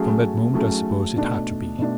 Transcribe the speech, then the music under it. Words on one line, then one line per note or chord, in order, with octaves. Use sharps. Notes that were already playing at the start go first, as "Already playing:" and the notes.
From that moment, I suppose, it had to be.
Already playing: F#3 A3 C#4 G#4
F#3 A3 C#4 G#4
B2 A3 D4
B2 A3 D4